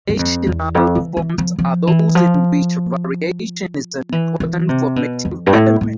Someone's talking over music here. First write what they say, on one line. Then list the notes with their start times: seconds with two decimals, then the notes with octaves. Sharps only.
Variational forms are those in which variation is an important formative element.
0.09 G2
0.19 F2
0.47 E2
0.75 F2
0.96 E3
1.17 E3
1.38 F3
1.59 F3
1.87 E3
2.15 F3
4.12 E3
4.40 E3
4.69 C3
4.96 B2
5.25 F2
5.46 G2
5.53 A2
5.81 A2